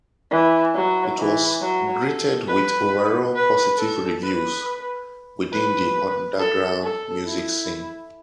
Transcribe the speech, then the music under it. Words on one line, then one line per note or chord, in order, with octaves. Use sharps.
It was greeted with overall positive reviews within the underground music scene.
E3
F#3
E3
F#3
A4
B4
B4
A4
B4
B4
A4
A4
E4